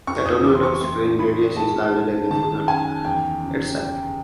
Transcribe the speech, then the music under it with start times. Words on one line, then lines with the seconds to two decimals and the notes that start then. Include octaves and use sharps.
The tornado's wind radius is larger than the funnel itself.
0.07 F2 C#6
0.26 D#6
0.44 E3 D6
0.55 C6
0.63 C#6
0.81 A3 C6
1.19 A3 B5
1.56 G#3 A5
1.93 G#3
2.30 D#3 A5
2.67 F#2 G#5
3.05 E2 G5
3.42 C#3
3.79 G3